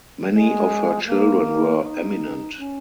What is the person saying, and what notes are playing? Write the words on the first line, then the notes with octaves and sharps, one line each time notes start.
Many of her children were eminent.
G#3
A#3
D#4
C#4